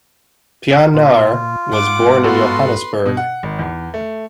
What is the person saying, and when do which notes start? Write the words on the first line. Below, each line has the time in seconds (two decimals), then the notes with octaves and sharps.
Pienaar was born in Johannesburg.
0.94 A#2 F4
1.72 G#2 F#5 D6
2.24 B3 F#4 A4 B4 C6
3.06 B2
3.17 F#5
3.43 G#1
3.59 E2
3.94 A3